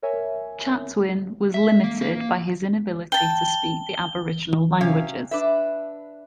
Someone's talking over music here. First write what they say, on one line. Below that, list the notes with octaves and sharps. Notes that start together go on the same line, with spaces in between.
Chatwin was limited by his inability to speak the Aboriginal languages.
A#4 C#5 E5 G#5
E5
A#3
A#3
G5 A5 G7
C3 F#3 C#4 F5
D4 B4 E5